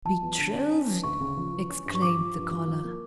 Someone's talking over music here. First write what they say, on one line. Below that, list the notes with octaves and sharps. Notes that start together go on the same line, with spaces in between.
"Betrothed!" exclaimed the collar.
F3 A5
E2
D3
C#4
C#4
E3
D2 C#6
C#3
F3
E3
C#4
G2
C#6
F3 D6
F3
G2
F3
F3
A#3